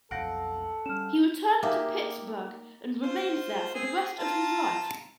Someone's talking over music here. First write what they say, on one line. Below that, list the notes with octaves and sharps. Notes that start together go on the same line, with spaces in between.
He returned to Pittsburgh and remained there for the rest of his life.
B1 F2 A4 F5 F#5 G6 A#6 D7
G3 C#4 F6 E7
A#3 D#4 G4 E5 G#5
F4 C5
C4 G#4
F4 A5 A#5